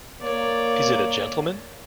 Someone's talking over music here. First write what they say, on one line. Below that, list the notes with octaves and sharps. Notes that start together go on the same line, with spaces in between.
Is it a gentleman?
A#3 C#5 D5